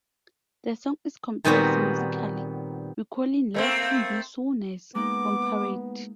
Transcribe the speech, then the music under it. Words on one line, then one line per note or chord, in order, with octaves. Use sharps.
The song is complex musically, recalling "Life Can Be So Nice" from "Parade".
A#2 D#3 G3 B3 C4 F#4
A3 A#3 C4
G#3 A#3 B3 D#4 D6